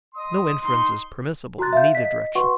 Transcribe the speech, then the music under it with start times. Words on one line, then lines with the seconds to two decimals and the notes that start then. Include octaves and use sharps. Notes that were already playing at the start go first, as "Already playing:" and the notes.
No inference is permissible in either direction.
0.15 D#5 C6 D#6
0.62 D#4 C6
1.59 F#4 A#5 C6 F#6 A6
1.73 E5 F5 G6
1.95 D#5 B6
2.35 F#4 B4 F#5 C6 C#6